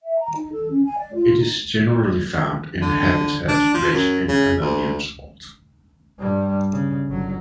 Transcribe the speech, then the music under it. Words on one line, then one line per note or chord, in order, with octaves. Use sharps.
It is generally found in habitat rich in ammonium salt.
E5
A#5
D#4
A4
C#4
G#5
D5
F4
D#4
D3
D4
F3
F#2
C#3
D2
G2 G3
C#3
G1 F#3